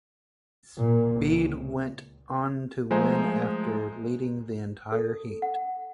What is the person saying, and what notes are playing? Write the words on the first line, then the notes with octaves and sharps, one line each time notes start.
Speed went on to win after leading the entire heat.
A#2
C#2
F3 G#3 A3 C5 G#5 A#5
A4
F#5